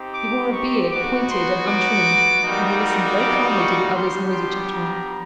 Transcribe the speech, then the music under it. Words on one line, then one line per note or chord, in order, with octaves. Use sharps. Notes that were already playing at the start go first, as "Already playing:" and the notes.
He wore a beard, pointed and untrimmed, and he listened very calmly to the other's noisy chattering.
Already playing: C4 D#4 G4
D6
C#6
B3 D#4 F#4 D6
C6
D6
G3 A#3 D#4 F#4
D6
C#6
G3 B3 D4 G4 C6
C6
A#5